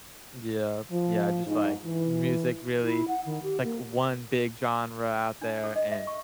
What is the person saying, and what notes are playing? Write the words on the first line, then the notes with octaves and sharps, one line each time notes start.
Yeah. Yeah, I just, like Music really it's like one big genre out there, and
F3
G#2
E3
E4
F#5
D#3
G4
A#3
D4
A4
D#5
E5
C#6